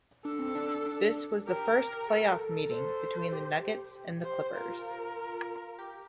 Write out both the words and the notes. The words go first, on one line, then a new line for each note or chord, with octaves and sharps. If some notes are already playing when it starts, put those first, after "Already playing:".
This was the first playoff meeting between the Nuggets and the Clippers.
D4 A4
C4
D4
D4
G4 A#4
A4
A4 C5
G4
C5
F4 A#4
G4